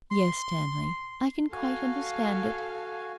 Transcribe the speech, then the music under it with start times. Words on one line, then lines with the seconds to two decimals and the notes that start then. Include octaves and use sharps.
'Yes, Stanley, I can quite understand it.
0.11 C6
1.52 F#4 A4 F5 G#5